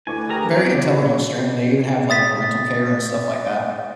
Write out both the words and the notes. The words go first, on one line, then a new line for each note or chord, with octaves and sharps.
very intelligent strain, they even have, like, parental care and stuff like that.
D2 E4 B4 G#5 C#6 D6
G4 G#4 A#4 G5 G#5 A#5
F2 F#3 B3 D5
D#6 A6 B6